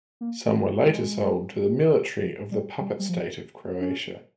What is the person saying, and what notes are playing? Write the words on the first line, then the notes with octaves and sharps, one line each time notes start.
Some were later sold to the military of the puppet state of Croatia.
A#3
G#3
G#3
G3
G3
G3
F3
C#4